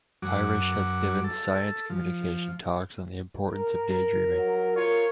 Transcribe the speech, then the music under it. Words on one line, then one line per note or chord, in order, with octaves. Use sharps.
Irish has given science communication talks on the importance of day dreaming.
F#2 F#3 D6
A4
F3
A#4
F#3
F4 A#4 C#5